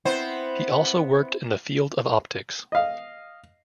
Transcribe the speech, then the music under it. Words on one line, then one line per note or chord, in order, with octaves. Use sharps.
He also worked in the field of optics.
B3 C4 E4 C5
D#5 F5